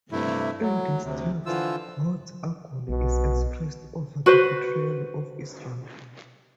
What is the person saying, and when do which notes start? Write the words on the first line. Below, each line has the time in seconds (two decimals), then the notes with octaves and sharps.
In this text, God's agony is expressed over the betrayal of Israel.
0.12 G2 C3 A3 E4
0.61 F#3
1.04 D2 C3
1.46 D3 E3 F3 F4 E6
2.89 B1 B2
4.26 F#4 B4 C5